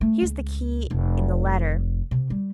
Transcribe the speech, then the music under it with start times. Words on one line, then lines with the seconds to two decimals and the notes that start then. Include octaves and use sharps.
Here's the key in the letter.
0.01 A3
0.22 C#2
0.91 F1
2.11 C3
2.30 G3